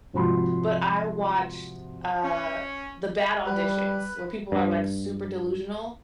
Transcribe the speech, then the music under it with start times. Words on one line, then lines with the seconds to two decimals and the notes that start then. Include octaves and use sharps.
but I watched, uh, the bad auditions where people are like super delusional
0.13 G#1 C3 F3 F#4 B5 C6
2.23 C#4
3.46 G3 B4
4.52 G2